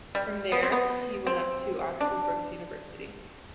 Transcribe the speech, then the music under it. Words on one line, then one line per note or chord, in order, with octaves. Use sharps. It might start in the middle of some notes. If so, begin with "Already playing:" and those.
From there he went up to Oxford Brookes University.
G3
B3
C4
B3
C4
D4